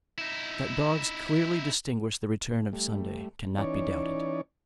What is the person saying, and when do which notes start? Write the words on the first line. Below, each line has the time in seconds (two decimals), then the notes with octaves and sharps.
That dogs clearly distinguish the return of Sunday cannot be doubted.
0.18 D#4 E4
2.73 G3 A3
3.58 E3 C#4 D#4 C#5 D5